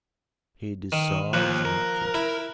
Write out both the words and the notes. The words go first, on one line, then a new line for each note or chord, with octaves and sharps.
He deserves nothing.
D#3
D#2 F3 F#6
A#4
E4